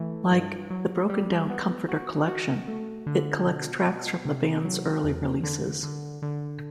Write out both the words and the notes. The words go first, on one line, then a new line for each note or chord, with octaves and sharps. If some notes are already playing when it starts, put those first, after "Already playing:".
Like "The Broken Down Comforter Collection", it collects tracks from the band's early releases.
Already playing: E3 A3
G2
F#3
G3
B3
F#4
F#4
A3
D3
B2
B2
C3
F#3
E2
D3
D3
D3